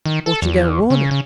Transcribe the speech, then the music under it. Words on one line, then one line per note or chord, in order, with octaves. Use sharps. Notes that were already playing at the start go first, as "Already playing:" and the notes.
"But you don't want it!"
D#3
A4
E2
C#3
C#3